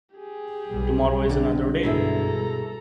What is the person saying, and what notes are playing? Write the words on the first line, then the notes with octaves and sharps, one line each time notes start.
Tomorrow is another day.
G4 G#4
B1 G3
D3
G2 B2 G#3 E4 A4 A#5